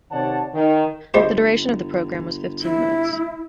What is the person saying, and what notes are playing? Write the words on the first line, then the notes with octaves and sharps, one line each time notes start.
The duration of the programme was fifteen minutes.
C3 D#3 C#5 D5 F#5 A5
D#3
G1 G3 G#3 C5
E4